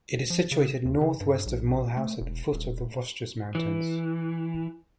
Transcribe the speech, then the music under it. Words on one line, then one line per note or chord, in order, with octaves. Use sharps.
It is situated northwest of Mulhouse at the foot of the Vosges mountains.
F3
C#3
D#2
C#3
G2
A#1
A3
E1
D#1
E3